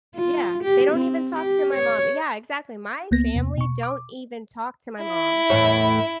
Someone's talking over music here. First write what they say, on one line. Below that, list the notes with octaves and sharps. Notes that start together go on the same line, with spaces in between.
Yeah, they don't even talk to my mom, yeah, exactly, my family don't even talk to my mom.
F4
G4
C4
G4
C#5
C#2 A#3 B3 A#6
E2 C3
B2 C#6
D6
E4
E2 A2 C#5